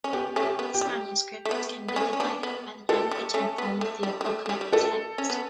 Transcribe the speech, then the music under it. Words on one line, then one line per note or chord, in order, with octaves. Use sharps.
These manuscripts can be divided by the language and form of the Apocalypse text.
C#4
B3 G4
A3 C#4
G4
B3
G4
G3
A3
B3
B3
A3 C#4
C#4
B3 D4
B3
G3 A4
G3
A3 C#4
B3
A3
G3
G3
A3
A3
G3
G3
A3 A4
C#4
B3